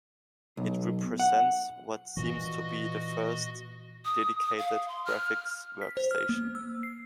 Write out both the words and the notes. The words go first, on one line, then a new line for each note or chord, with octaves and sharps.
It represents what seems to be the first dedicated graphics workstation.
B1
F#5
A#2 E3 F#4 D#5
D#6
D#6
F5
C6
F6
B6
C5
F6
A#3
E6
C7